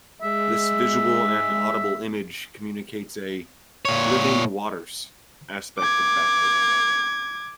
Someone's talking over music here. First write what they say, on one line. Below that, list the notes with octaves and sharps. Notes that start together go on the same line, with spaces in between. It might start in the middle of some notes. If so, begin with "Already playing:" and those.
This visual and audible image communicates a "living waters" aspect of baptism.
G#3 E5
A#2 C#5
D6 G#6